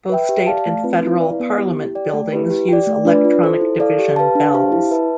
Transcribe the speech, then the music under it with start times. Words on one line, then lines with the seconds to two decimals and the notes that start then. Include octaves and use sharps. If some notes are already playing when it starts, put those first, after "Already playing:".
Both State and Federal Parliament buildings use electronic division bells.
0.09 B4 E5 G5
0.29 G4
0.47 D5 F5 A5
0.66 A3
0.84 C4 F4 B4
1.03 E4
1.20 B4 D5 F5
1.40 B3
1.58 E4 G4
1.77 G4
1.95 D5 G5
2.14 A3
2.32 E4 G4 B4
2.50 G4
2.68 D5 G5
2.87 A3
3.05 D4 F4 B4 D5
3.25 F4
3.43 A4 C5
3.61 E4
3.80 A4 D5 F5
3.99 G4
4.16 B4 F5 A5
4.35 D4
4.54 G4 C5 F5 A5
4.72 E4
4.91 B4 E5 A5